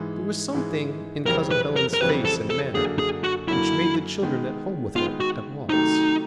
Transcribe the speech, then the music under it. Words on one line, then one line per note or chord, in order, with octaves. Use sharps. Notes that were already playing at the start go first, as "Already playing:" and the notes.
There was something in Cousin Helen's face and manner, which made the children at home with her at once.
Already playing: G#2 E3 G#3
G#2 E3 G#3
F2 C#3 E3 G3 C4 A#4
B4
A#4
A#4
F2 C#3 E3 G3 C4 B4
A4
A4
F#2 D3 F#3 A#3 G#4
G#4
F#4
F#2 D3 F#3 A#3 E4
D#3 G#3 B3
D#3 G#3 B3 F4
F#4
C3 D#3 F#3 A3 D#4